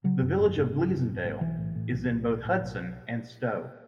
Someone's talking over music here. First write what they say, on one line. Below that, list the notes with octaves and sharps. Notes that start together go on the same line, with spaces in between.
The village of Gleasondale is in both Hudson and Stow.
C#3 F#3
F#2
G#1
G#1
C#3
F#2
G#1
G#1
B1 E3
A2
A2
B1
B1
A2
A2
B1